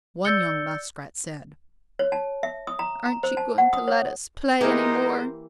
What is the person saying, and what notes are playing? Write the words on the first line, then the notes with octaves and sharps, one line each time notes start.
One young Muskrat said, "Aren't you going to let us play any more?"
D5 E6 G6 A6 C#7 G7
C#5
A5
E5
D#6
A#5
A#5
C5
A5
F#5
D#6
C#5
E3 G#3 A#3 D#4 G4 A#4 C5